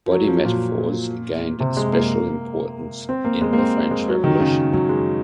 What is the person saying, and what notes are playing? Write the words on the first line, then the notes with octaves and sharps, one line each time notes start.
Body metaphors gained special importance in the French Revolution.
F3
F#3
F3
A#2
C3
G#3
A#3
C4
A#3
G#3
A#3
C4
G#3
F#3
D#3
C#3
F#3
G#3